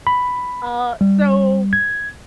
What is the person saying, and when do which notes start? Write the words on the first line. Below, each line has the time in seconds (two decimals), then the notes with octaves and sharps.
Uh, so
0.07 B5
1.01 G3
1.73 G#6